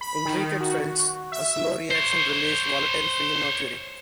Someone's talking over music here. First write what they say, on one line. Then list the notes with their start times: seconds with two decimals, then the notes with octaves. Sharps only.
In treated felts, a slow reaction released volatile free mercury.
0.01 B5
0.25 D#3
0.60 F#4
1.32 E5
1.91 C5 C#5